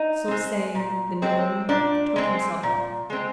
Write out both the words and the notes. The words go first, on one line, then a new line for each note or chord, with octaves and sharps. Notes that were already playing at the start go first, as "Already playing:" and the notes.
So saying the gnome took himself off.
Already playing: D#4
G#3 C4
A#2
G#3 C4
A#2 D4
G#3 C4
A#2
G#3 C4